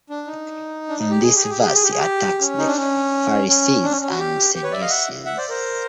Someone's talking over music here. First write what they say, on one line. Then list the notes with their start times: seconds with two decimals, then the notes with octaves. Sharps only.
In this verse he attacks the Pharisees and Sadducees.
0.10 D4
0.27 D#4
0.89 D4
0.99 D#4
1.10 G4
1.22 G#4
1.35 G4
1.42 G#4
1.50 G4
1.59 G#4
1.66 G4
1.75 G#4
1.83 G4
1.91 G#4
1.99 G4
2.40 C#4
2.58 D#4
2.67 D4
2.77 C#4
3.48 C#4
3.83 D4
3.91 C#4
4.02 C#4
4.10 F#4
4.19 G4
4.54 G4
4.63 B4 C#5
4.71 D5 E5
4.81 D#5 F5
4.89 E5 F#5
5.25 E5 F#5
5.37 C5 D5
5.49 A#4 C5